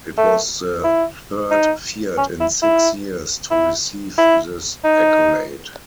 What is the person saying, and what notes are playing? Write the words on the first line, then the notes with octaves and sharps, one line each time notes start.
It was the third Fiat in six years to receive this accolade.
A3
E4
D#4
C#4
E4
E4
E4
E4
D#4